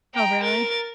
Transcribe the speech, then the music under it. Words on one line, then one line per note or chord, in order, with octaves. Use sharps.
Oh, really?
G5 A#5
A#4 A6